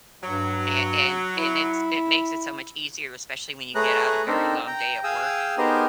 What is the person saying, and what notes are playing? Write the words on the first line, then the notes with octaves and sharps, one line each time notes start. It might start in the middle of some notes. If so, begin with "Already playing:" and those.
a and and it's it makes it so much easier, especially when you get out a very long day at work.
G2 F#3
E4
A3 G#4 B4 C#5 A#5 F#6
C4 D4 D#4 A4 A#4 C5
G5 A#5
G#4 F5 G5 G#5 D#6 E6
B3 D#4 G4 G#4 A#4 C5